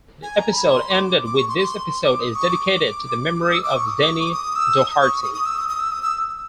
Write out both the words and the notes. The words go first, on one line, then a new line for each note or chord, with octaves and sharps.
The episode ended with This episode is dedicated to the memory of Denny Doherty.
G#5
A#5
B5
C6
D6
D6
C#6
C6
C6
D6
D#6
C#6
D6
D#6
E6
D6
C#6
D#6
D6
C#6
D6
D#6
E6
D#6
C#6
D#6
D#6
E6
D#6
D#6
E6
D#6
E6